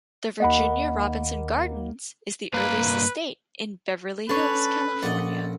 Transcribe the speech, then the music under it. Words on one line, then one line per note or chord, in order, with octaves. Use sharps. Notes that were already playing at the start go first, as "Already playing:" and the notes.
The Virginia Robinson Gardens is the earliest estate in Beverly Hills, California.
D#2 A#3 D#5 F#5 B5
G2 A#3 B4 F5
C#4 D4 A4 B4 C#5 A5
A#1 D5 D#5 F#5